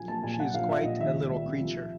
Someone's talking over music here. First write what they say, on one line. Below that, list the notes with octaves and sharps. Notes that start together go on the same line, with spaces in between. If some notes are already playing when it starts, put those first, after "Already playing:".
She is quite a little creature.
Already playing: A#1 F#3 G#5
A#3 A5
A#2 G#5
F#3 F#5
A#1 F5
A#1 E5
A#2 D#5
D#3 E5
C#2
G3
C3
F3